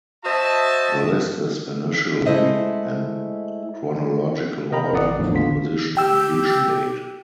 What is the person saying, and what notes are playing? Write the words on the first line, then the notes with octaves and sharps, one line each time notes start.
The list is initially in chronological order of composition completion date.
F#4 C5 D#5 E5 A5
G#3 A3 E4 C5 D#5 E5
C3 A#4 D#5 G5 A#5 B5
G#1 C#4 E4 D5 F#5 D#6
E2 A2 D3 F3 D#4
A1 D#2 D3 B3 F4 B6
G4 G5 E6